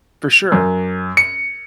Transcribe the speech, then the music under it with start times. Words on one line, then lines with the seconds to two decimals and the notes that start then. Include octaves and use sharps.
For sure.
0.52 F#2
1.17 C#7